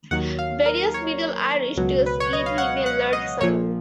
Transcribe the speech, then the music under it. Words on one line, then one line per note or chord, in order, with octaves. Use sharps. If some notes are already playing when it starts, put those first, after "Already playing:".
Various Middle Irish tales give him a large family.
D#2 D#3 F#3 F#5
F5
A#4
C#5
C#2 B2 F#3
B4
C#5
D#5
F5
F#5
F#5
D#5
A#1 A#2 F3 C#5